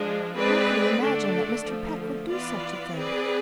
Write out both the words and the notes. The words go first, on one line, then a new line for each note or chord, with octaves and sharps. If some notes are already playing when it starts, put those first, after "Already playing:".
"How could he imagine that Mr. Peck would do such a thing?"
Already playing: F3 G#3 D4
G#3 C4 G#4 B4 D5
D3 A3 D4 A4 D5
D3 F3 A3
E3 B3 F4 B4 D5
C4 G#4 B4 D5